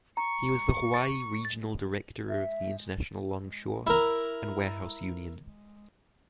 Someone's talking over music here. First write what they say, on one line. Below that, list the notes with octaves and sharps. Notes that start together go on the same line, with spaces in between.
He was the Hawaii Regional Director of the International Longshore and Warehouse Union.
A#5 C#6 C#7
E5
E4 A#4